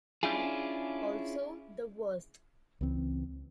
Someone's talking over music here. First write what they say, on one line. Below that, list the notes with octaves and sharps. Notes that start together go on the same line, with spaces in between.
And also the worst.
C#4 D4 E4 F4 G#4
C#2 E3 C4